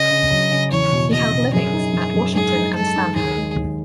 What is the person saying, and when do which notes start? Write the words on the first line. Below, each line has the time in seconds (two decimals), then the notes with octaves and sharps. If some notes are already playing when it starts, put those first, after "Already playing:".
He held livings at Washington and Stanhope.
Already playing: C#3 D#5
0.11 C#3
0.30 F#3
0.51 C#3
0.71 E2 C#5
0.92 B2
1.12 B2 D#5
1.33 B2
1.53 F#2 G#4
1.73 D#4
1.94 F#2
2.14 F#2
2.34 G#2 G#4
2.55 D#4
2.75 G#3 A4
2.96 D#4
3.15 D#2 G#4
3.36 G#3
3.57 D#2